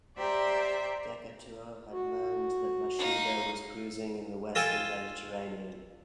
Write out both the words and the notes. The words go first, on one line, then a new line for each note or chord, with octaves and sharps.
Decatur had learned that Mashuda was cruising in the western Mediterranean.
G4 C5 D5 E5 A#5
F#4
D#4 F5
F4 A4 G5 G#5